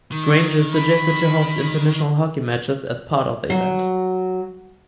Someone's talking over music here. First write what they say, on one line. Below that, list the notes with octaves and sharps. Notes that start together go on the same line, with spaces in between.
Granger suggested to host international hockey matches as part of the event.
D#3
B5
F#3